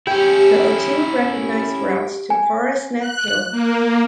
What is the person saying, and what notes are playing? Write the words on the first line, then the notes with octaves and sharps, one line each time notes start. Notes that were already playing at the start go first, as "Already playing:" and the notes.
There are two recognized routes to Parasnath Hill.
C#4 E4 G4
G#5
F#6
A#3